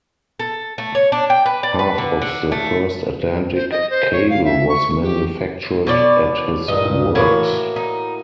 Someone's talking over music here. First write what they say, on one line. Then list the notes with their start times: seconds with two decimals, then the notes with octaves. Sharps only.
Half of the first Atlantic cable was manufactured at his works.
0.39 A4
0.78 A3
0.95 C#5
1.12 D4
1.30 G5
1.46 B4
1.63 D5
1.79 B4
1.98 D3
2.22 D3
2.52 A3
3.54 C5
3.71 D#5
3.90 C5
4.12 C#5
4.30 F5
4.45 E5
4.69 C#6
5.02 G4
5.87 B2 C#5 D5
6.68 G2 A#2 D#5
7.15 A2 E3 A#3 F#4 C#5
7.76 D#4